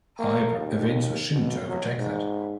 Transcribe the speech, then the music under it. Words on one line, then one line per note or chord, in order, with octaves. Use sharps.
However, events were soon to overtake that.
A#3
D#2
B2
F#3
G#2